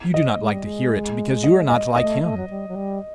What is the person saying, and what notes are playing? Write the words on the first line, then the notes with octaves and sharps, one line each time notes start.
You do not like to hear it because you are not like him.
D#5
G#3
G3
G#3
D#5
D#5
A3 D#5
A3
F#3
G3
F#3
G3